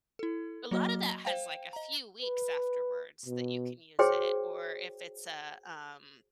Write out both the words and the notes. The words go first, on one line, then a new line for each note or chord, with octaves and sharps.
a lotta that has, like, a few weeks afterwards that you can use it, or if it's a, um
E4 A4
F#3 A#3 F#4 D#5 F6
C5 F5 G5
D#5 A#5
B4
B2
F#4 G#4 C5 C#5 G5